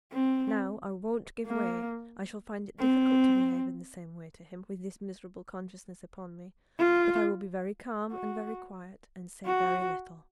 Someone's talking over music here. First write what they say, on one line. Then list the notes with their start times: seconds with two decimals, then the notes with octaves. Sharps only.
Now I won't give way. I shall find it difficult to behave in the same way to him, with this miserable consciousness upon me; but I will be very calm and very quiet, and say very little.
0.12 C4
1.46 A#3
2.79 C4
6.79 F4
8.12 F#4
9.46 F#4